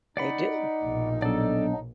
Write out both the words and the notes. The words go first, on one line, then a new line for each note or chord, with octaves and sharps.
They do.
D#4 D5 F#5 B5
A#1 B2
F#3 B3 D4 A4 D5